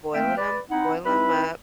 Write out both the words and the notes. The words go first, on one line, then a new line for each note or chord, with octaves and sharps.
boiling ‘em boil ‘em up,
A3 A#3 C4 E5 F5 G5
B4 D5
C4 D#4 E4 F#5
C4 D#4 E4 B4 E5 B5